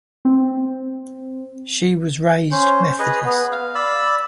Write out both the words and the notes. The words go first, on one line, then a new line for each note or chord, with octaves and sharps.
She was raised Methodist.
C4
C#4 C5
G#4 B4 D#5
B3
F5
D5 B5 E6